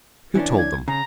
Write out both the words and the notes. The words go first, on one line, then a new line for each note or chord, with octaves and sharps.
"Who told them?"
E3 C#4 D4
G#6
C#3 A#5